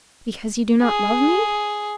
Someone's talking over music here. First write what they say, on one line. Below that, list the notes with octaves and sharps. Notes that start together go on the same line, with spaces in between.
"Because you do not love me?"
G#4